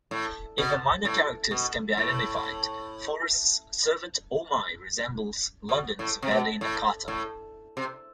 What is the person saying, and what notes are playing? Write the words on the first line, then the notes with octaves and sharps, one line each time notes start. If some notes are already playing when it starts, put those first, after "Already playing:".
Even minor characters can be identified; Forrest's servant Oh My resembles London's valet Nakata.
A2
B2
A2
B2
A2
B2
A2
C3
B2
A2
A2
C3